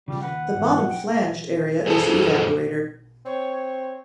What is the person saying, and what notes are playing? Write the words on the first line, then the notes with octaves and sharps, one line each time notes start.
The bottom flanged area is the evaporator.
C#3 F3 G3 F4
D#2 B4 F#5
G#2 E3
G5
F#2 G#4 A4 C5 A5
C4 C#5